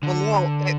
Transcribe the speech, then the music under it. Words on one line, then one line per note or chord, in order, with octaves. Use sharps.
Well, no, it
D3